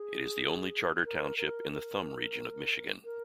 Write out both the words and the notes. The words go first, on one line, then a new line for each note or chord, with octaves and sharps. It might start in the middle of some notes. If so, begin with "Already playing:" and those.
It is the only charter township in the Thumb region of Michigan.
Already playing: G#4
A#4
A#4
A#4
A#4